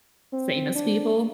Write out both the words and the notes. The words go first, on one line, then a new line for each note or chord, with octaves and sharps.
famous people,
C4
D4